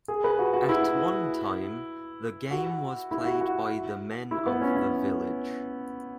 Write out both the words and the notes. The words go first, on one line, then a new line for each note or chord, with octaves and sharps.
At one time the game was played by the men of the village.
G#4
B4
F#4
F#4
E4
F#4
E4
F#4
F#4
E4
B3
C#4
C#4